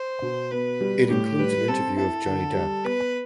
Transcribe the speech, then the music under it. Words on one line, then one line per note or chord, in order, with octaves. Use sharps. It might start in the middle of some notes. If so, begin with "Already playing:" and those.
It includes an interview of Johnny Depp.
Already playing: C5
B2
B3 B4
G3
A2 G4
G3 B4
C4 A4
E4 A4
D3
G3
B3 B4